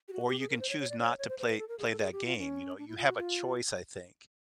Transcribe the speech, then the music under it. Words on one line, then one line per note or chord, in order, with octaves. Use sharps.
or you can choose not to play play that game, you know? You have a choice, I think.
G4
F#4
G4
G#4
A#4
C5
C#5
C#5
D5
C#5
C#5
C5
C5
B4
A4
A#4
G#4
A4
G#4
G4
F4
C#4
D4
E4
F4
F#4
F4